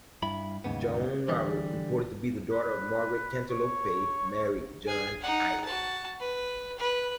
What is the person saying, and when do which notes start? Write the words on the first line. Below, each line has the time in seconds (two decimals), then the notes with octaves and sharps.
Joan Robert, reported to be the daughter of Margaret Cantilupe, married John Eyre.
0.23 G2 E4 B5
0.64 D#2 G#2 C#3 B3
1.28 D3 E3 G3
2.51 B4
3.51 C#5
4.87 G#4 G#5
5.21 D#4 F#5
5.64 F#4 A5
6.20 B4
6.78 B4